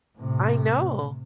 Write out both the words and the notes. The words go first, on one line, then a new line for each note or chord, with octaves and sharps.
I know.
A2 C3